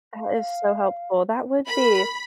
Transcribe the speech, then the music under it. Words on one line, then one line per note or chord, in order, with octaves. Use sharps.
That is so helpful. That would be.
F5
A#4 B5